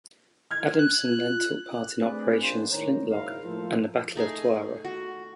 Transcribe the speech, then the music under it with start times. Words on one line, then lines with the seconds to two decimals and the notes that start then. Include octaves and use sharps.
Adamson then took part in Operations Flintlock and the Battle of Tarawa.
0.51 F6 G#6
0.79 F#6
1.08 F4
2.01 A3 C4 D4 G#4 B4 D5
2.40 A#1 F2 C5
2.72 A2 D#3 C#5 A#5
3.07 F#1 G#2 D#4 E4 A#4 F5
3.44 A2 F3 A#3 F4 A4 C5
4.15 A3 D#4 G#4 G#5
4.85 F#4